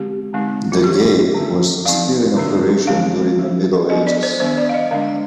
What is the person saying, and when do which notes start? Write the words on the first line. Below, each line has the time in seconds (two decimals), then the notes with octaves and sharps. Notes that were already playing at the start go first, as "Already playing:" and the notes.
The gate was still in operation during the Middle Ages.
Already playing: D3 G#3 C4 G4
0.33 D3 G#3 C4 D#4
0.72 F4
0.84 D#3 G3 D4 G4
1.35 D3 G3 C4
1.85 F3 C4 D#4 F5
2.37 D3 G3 D4
2.87 D3 G#3 C4 D#4 F5
3.39 G3 D4
3.89 F3 B3 D4 D#5
4.07 D5
4.23 C5
4.40 D#3 G3 B3 D4 C5
4.58 D5
4.69 F5
4.74 D#5
4.91 D3 G#3 D4 F5